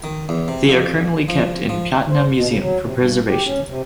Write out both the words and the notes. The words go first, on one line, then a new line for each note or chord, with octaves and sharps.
They are currently kept in Patna Museum for preservation.
D#3
E2
C3
F2
F3
F3
C5
B2
C#3
F#3
C3
G2
G4
C#4
C3